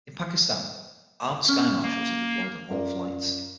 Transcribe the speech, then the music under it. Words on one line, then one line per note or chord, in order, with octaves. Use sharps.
In Pakistan, armed sky marshals are deployed on all flights.
C#4
A#3
F#2 F4 A#4 D5